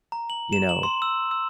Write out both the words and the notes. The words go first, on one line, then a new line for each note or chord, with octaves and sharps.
you know,
A#5
F#7
E7
F#7
C6
E6
E6